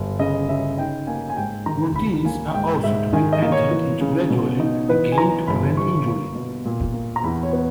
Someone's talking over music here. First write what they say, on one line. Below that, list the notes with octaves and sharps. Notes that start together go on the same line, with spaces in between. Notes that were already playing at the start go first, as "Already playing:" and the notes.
Routines are also to be entered into gradually, again to prevent injury.
Already playing: G1
C#3 D#5
C#3 E5
D#4 G5
A#3 G#5
G#5
G#2 G5
D#3 A#5
C#2 B5
A#3 G#5
G#2 G5
G#2 E5
D#3 G#5
D#5
A#3
C#5
E3
C#3
B2
D#4
E3 B4
G#5
E3 A#5
G1 B5
G2 C#6
A#3
B2
A#2
A#3
A#5
E2 B5
C#5
B3